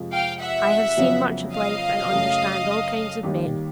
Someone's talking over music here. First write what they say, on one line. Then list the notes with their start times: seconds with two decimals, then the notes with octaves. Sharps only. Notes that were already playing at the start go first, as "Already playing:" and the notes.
I have seen much of life, and understand all kinds of men.
Already playing: F2 C3 F3 G#3
0.12 F5 G5
0.40 E5 F#5
0.97 F2 C#3 F#3 B3
1.53 D#5 F5
2.10 F#2 C#3 F#3 A3
3.23 D#2 D#3 G3